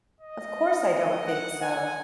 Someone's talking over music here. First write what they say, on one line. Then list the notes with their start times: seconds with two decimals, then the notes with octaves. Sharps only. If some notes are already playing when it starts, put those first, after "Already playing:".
Of course I don’t think so!
0.21 D#5
1.27 F#5
1.62 G#5